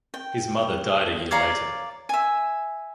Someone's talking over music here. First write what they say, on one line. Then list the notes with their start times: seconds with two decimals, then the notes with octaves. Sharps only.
His mother died a year later.
0.14 G5
1.31 C#5 D5 F5 A#5
2.09 E5 G#5